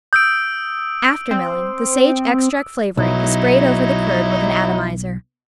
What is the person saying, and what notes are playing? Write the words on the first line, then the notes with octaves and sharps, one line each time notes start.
After milling, the sage extract flavoring is sprayed over the curd with an atomizer.
D#6 E6 G6 D7
C4
B1 F#3 D#4 E4